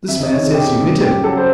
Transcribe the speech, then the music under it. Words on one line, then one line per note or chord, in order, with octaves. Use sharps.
'This man says you hit him.'
F2 E5
D#5
C3 D#3 C#5
G#4
F2 G4
C3 D#3
F#2 G4
C#3 F#3 A4
C5